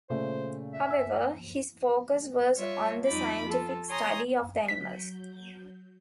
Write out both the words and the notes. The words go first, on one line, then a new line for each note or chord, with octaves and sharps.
However, his focus was on the scientific study of the animals.
A#2 C#3 A3 C5
E5
G#5 E6
G3 F4 C#5 E5
F2 G3 D#4 F4 B5 D6
F3 F4 A4
C#5 G#5 A#5 C6 D#6
F#3 G6 B6